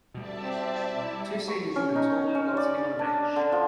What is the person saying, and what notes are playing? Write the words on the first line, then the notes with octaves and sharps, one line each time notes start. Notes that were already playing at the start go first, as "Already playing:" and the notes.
Two senior women talk while sitting on a bench.
B2 G3 D5 E5 A5
C4
G3 E4
C#6
C#4
D#4
C#4
D5
D4
D3
F3